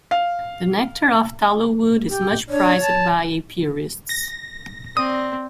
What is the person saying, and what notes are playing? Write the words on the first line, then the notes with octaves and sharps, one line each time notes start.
The nectar of tallowwood is much prized by apiarists.
F5
G4
D4 C#5
A5
A#6
C4 D5 D#6